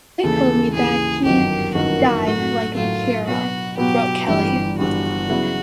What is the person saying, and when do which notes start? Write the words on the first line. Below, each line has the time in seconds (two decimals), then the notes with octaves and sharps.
'They told me that he died like a hero,' wrote Kelly.
0.23 D#2 C#3 E3 A4
0.73 D#2 C#3 E3 G#4
1.25 G1 F#2 D#3 F#3 G4
1.75 G1 F#2 D#3 F#3 F#4
2.26 A2 F#3 A3 F#4
2.76 A2 F#3 A3 F4
3.27 B2 F#3 B3 F#4
3.77 B2 F#3 B3 G4
4.28 G1 G2 E3 G3 G4
4.79 G1 G2 E3 G3 F#4
5.29 C#3 F#3 B3 E4